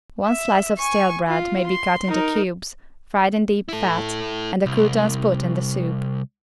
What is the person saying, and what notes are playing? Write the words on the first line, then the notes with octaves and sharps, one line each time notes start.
One slice of stale bread may be cut into cubes, fried in deep fat, and the croutons put in the soup.
E5
G#5 C#6
F4
C6
D#4 A#4
E4 A4
C2